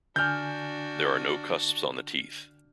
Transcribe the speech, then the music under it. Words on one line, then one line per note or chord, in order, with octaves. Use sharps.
There are no cusps on the teeth.
D3 D4 F#4 G#5 F6 G6